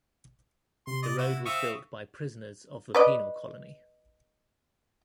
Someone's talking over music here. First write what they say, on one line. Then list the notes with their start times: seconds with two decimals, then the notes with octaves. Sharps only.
The road was built by prisoners of the penal colony.
0.87 C3 C6
1.03 D5 D#5
1.18 E4 F#4
1.46 C4 E5 F5 C#6 D#6
2.95 B4 D5 D#5